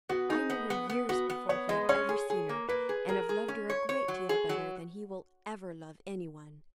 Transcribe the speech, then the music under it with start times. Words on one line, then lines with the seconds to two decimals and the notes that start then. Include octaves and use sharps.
I knew her years before he had ever seen her, and have loved her a great deal better than he will ever love any one.
0.09 B3 F#4
0.29 D#4 G#4
0.50 B3
0.70 B3
0.90 B3
1.09 B3 F#4
1.30 B3
1.49 B3 C#5
1.69 G#3 D#5
1.89 C#4 C#5
2.09 G#4
2.30 G#4
2.49 A#3
2.69 A#3 B4
2.89 G#4
3.09 G#4 A#4
3.29 G#4
3.48 C#4
3.70 C#5
3.89 C#5
4.08 F#3
4.29 G#4
4.49 F#3